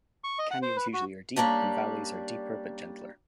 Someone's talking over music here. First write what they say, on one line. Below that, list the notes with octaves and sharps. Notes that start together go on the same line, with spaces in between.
Canyons usually are deep and valleys are deeper but gentler.
C#6
D#5
F#5
C5
B4
F#4
G3 A#3 C#4 D4 G4